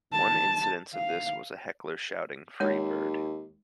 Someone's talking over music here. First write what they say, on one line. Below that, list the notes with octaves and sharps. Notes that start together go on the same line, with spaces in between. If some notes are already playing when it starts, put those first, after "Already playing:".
One incidence of this was a heckler shouting Free Bird!
A5
F5
D#2 G#3 C#5